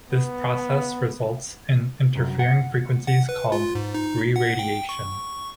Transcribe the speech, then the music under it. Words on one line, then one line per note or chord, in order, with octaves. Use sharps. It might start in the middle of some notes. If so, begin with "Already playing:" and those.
This process results in interfering frequencies called reradiation.
B3
C2 F#2
F#5
F#5
B4
F4
G#2
D#4
F#5
G5
C#6